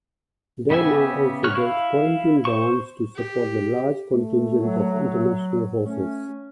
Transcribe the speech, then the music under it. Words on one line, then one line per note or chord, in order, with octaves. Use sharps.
Del Mar also built quarantine barns to support the large contingent of international horses.
C#3 B3 G4 E5 G#5
C#5 C#6 F6 F#6
E4 F5
C5 C#6
G4
A3
F#3
A3 C#4